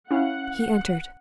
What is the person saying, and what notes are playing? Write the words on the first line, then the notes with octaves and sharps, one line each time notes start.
He entered.
C#4 E4 F5 F#5